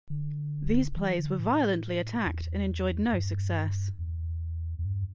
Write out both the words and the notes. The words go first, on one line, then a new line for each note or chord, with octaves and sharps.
These plays were violently attacked and enjoyed no success.
D3
E3
D3
A2
E2
G2
E2
E2
G2